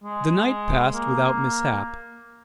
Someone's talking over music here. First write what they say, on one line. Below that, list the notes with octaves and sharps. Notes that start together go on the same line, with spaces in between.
The night passed without mishap.
G#3
A#3